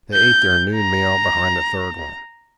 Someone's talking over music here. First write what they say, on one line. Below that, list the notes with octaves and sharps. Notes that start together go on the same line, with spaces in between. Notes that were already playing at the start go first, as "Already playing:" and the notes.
They ate their noon meal behind a third one.
G6
A#5